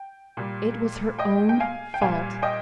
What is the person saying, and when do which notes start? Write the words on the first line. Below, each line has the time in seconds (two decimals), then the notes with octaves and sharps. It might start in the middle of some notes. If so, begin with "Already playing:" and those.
It was her own fault.
Already playing: G5
0.37 A#2 G3
1.19 D#5 G5
1.49 G5
1.60 F5 G#5
1.94 G5
2.01 A#2 G3 F5 G#5
2.42 D#5 G5